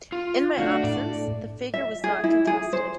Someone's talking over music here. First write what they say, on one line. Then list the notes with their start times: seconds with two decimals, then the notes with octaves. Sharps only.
In my absence, the figure was not contested.
0.12 F4
0.59 A3 D4 F#4 F5
0.84 A2 D5
1.74 E5
2.04 G#4
2.24 E4
2.47 G#4
2.73 C5